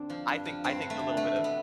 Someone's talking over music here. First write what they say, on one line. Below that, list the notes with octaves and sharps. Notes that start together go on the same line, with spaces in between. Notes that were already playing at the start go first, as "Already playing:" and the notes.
I think I think the little bit of
Already playing: D3 C4 D4
F3
G2
F3
G2 C4
G2
A3
D3
B2 A3
E2
B3